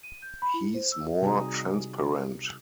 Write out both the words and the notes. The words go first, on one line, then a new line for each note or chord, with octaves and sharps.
He's more transparent!
D#7
G6
B5
E4
C5
E6
C3 G3 D#4 F#4 G#4